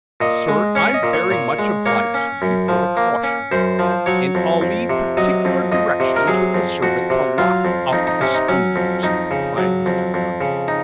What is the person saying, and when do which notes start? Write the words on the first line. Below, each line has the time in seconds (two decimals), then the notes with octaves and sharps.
'Sir, I'm very much obliged to you for the caution, and I'll leave particular directions with the servant to lock up the spoons,' replied Mr. Gunter.
0.21 A#2 D#5
0.48 G#3
0.75 C#4 C#5
0.94 D#5
1.03 A#2
1.13 C#5
1.31 A#2 C#5
1.59 G#3
1.86 A#3 C#5
2.14 C#4
2.42 F#2
2.68 F3
2.97 A#3
3.24 C#4
3.52 F#2 C5
3.79 F3
4.06 F#3 C#5
4.35 F2
4.61 F2
4.90 C3
5.17 F#3 D#5
5.45 F2
5.72 F2 D#5
6.00 C3
6.16 A#4
6.27 F#3 G#4
6.54 F2
6.83 F2 F#4
7.10 C3
7.38 F#3 F4
7.65 F2
7.93 F2 D#4
8.07 D#4
8.21 C3 C#4
8.34 D#4
8.49 F#3 C#4
8.76 F2
9.03 F2 D#4
9.31 C#3
9.58 F#3
9.86 F2
10.14 F2
10.41 C#3
10.68 D#4